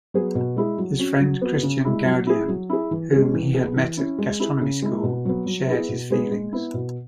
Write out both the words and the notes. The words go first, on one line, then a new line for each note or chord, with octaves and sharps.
His friend Christian Gaudian, whom he had met at gastronomy school, shared his feelings.
F#3 B3 G#4
B2
G#3 E4 G#4
F#3
C#4 F#4
F#3
B3 F#4
C#3
G#3 E4
F#3
E4 G#4
F#3
E4 G#4
E3
G#3 C#4 G#4
E3
B3 G#4
E3
C#4 E4
G#3
E4 G#4
C#3
G#3 E4
B2
F#3 B3
F#3
B3 E4 G#4
B2
G#3 B3 G#4
G#3
B3 E4
B2